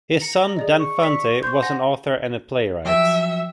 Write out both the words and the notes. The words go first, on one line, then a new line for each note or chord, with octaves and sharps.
His son Dan Fante was an author and playwright.
A#5 C#7
G#4 D5 D#5
C#6
D5 E6 B6
C5 C#6 G6
F#5 G#5 A#6
F3 F#3 E5 G5